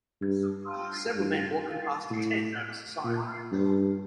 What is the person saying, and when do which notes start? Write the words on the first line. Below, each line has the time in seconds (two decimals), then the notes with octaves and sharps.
Several men walking past a tent notice a sign.
0.21 G2
1.16 G2
2.11 A2
3.05 A#2
3.52 G2